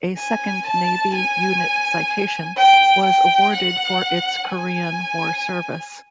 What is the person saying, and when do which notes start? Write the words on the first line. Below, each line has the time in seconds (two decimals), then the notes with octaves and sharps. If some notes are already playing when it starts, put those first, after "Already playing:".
A second Navy Unit citation was awarded for its Korean War service.
0.19 G#5
0.68 A5
1.15 G#5
2.58 G5
3.06 G5
3.54 F#5
4.49 G#5